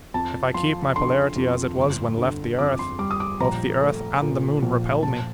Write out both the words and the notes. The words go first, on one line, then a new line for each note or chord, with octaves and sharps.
If I keep my polarity as it was when left the earth, both the earth and the moon repel me.
F2 A5
F3 C6
D3 C6
F2
G1
D3
F2 D6
C6
G3 D6
D#6
D6
A#1 A#5
A3
A#2
A#1
A#1 A5